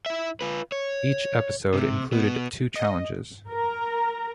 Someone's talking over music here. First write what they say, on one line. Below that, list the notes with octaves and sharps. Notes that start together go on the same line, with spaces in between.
Each episode included two challenges.
E4 E5
F4 B4
C#5
C3
B2 B3
D#5
A#4 A#5